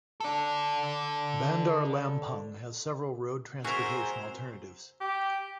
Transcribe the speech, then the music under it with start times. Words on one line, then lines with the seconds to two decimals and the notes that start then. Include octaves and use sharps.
Bandar Lampung has several road transportation alternatives.
0.20 A4 D5
3.64 C4 F#4 G#4 A#4 C5 E5
5.01 G4